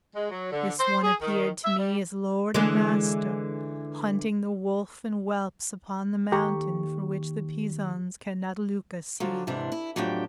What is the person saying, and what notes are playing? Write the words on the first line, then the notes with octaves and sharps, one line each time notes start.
This one appeared to me as lord and master, Hunting the wolf and whelps upon the mountain For which the Pisans cannot Lucca see.
G#3
F#3
D3
C5
G#4
D#3
E5
G3
D3 E3 G#3
D#2 G4 A4 A#5 C#6
D3 F3 F#3
G#2 C3 E3 D4
E4
F2 A2 F#3 D4 G4 G5